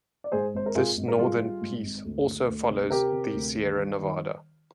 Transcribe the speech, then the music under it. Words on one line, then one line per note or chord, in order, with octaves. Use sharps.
This northern piece also follows the Sierra Nevada.
D5
G#2 G#4 C5
G#1 C5
A#4
G#1 F4 G#4
G#1
A#4
G3 F4 G#4
G3
G#2
G#1
D2
D2
D2
C3
C3 G4 A#4
C3
D2
D#3
G3
D#3